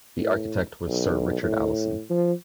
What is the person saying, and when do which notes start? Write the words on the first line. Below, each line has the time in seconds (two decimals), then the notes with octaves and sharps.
The architect was Sir Richard Allison.
0.19 A2
0.87 B1
1.42 A2
2.10 F3